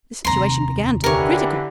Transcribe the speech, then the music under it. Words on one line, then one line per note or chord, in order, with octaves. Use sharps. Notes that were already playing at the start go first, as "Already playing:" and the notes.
The situation began to look critical.
F1 D#2 A#5 C6
D3 E3 G4 A#4 C#5